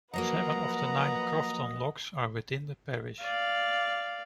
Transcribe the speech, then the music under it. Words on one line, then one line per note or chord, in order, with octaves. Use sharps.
Seven of the nine Crofton Locks are within the parish.
F3 F#3 A#3 B4 D#5 F#5 A#5
D5 F5